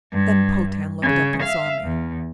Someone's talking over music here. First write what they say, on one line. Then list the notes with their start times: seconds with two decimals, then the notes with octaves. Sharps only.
Then Potan looked up and saw me.
0.13 G2
1.02 C#3
1.43 E5 F5
1.84 E2